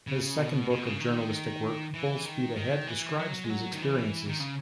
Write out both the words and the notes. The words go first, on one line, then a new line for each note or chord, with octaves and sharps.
His second book of journalistic work, "Full Speed Ahead", described these experiences.
C#3
B2
C#3
B2
C#3
D#3
E3
D#3
D#3
E3
F#3
G#3
F#3
D#3
E3
D#3
C#3